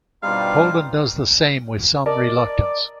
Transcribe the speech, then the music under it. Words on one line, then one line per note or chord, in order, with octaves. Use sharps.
Holden does the same with some reluctance.
G2 B2 G3 C4 D#4 F4 F5
A#4 D5 D#5 A5